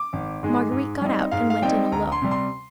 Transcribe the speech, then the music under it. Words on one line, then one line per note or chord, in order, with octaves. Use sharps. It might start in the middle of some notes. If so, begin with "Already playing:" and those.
Marguerite got out and went in alone.
Already playing: D6
G#1
G#2 D#3 G#3
G#2
G3 C4 D#4
G#2 F5
F5
G3 C4 D#4 G5
D2 A#5
C6
C3 G3
C6